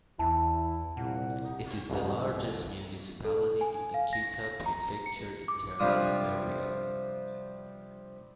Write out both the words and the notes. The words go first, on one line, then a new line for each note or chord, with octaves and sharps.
It is the largest municipality in Akita Prefecture in terms of area.
E2 E3 E4 A5
C2 A#2 F#5
C2 F2 G#2 B2
A4
G#5
F5
A#6
A#6
A#5
C#7
D6
C3 F3 G3 D4 F4 D#6